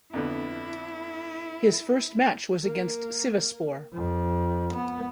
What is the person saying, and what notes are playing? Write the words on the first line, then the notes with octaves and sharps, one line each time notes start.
His first match was against Sivasspor.
F2 D3 B3 E4
A#3
F2
B3